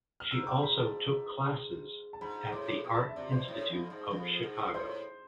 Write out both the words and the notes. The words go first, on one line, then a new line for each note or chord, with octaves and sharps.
She also took classes at the Art Institute of Chicago.
F6
G#2 E6
D6
B5
A5
A5
G#2 B5
A2 D6
D6
B2
A5
B5
E5
C3 D5
B2 C5
A2
F2
G#2
F2
G#2
A2 C5